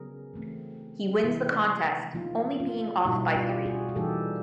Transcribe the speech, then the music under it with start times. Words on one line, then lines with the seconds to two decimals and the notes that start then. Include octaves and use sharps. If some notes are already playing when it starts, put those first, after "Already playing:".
He wins the contest, only being off by three.
Already playing: C#3 F#3 B3 G#4 A#4
0.34 E3 A3 C4
1.23 C3 E3 G#3 B3 E4
2.14 F3 A#3 D#4 F4
2.60 F4
3.05 B2 G3 A#3 D#4 E4 F#4
3.36 F4 G4
3.65 F#4 G#4
3.89 G#4
3.96 E3 G3 A#3 D#4 G4 A4